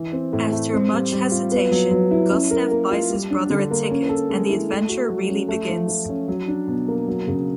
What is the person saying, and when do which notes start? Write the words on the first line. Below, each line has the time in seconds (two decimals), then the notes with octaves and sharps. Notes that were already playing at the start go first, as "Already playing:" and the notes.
After much hesitation, Gustav buys his brother a ticket and the adventure really begins.
Already playing: E3
0.12 C4
0.33 A2
0.52 A3
0.73 C4
0.92 G3
1.12 G3
1.31 F4
1.52 B3
1.71 F#3
1.91 F#3
2.11 E4
2.31 C#4
2.51 A#4
2.71 A#3
2.91 F4
3.10 G3
3.30 D4
3.50 D3
3.71 A#3
3.90 C#4
4.09 A4
4.29 G#3
4.49 E4
4.70 A3
4.89 F#4
5.09 F#3
5.28 C#4
5.48 A3
5.68 F3
5.88 F3
6.08 C#4
6.28 F#3
6.48 D4
6.68 B2
6.88 A#3
7.08 F#3
7.27 C#3